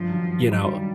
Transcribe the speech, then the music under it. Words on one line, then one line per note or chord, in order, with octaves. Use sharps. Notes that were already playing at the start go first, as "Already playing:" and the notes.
you know,
Already playing: G2 F3
D#3 F#3
G2
D#3 F#3
G2 G3
D#3 F#3